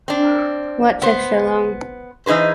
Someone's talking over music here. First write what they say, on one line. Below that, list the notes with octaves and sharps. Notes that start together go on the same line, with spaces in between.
What took so long?
C4 D4
B3 C5
E3 D#4 G#4 B4 C5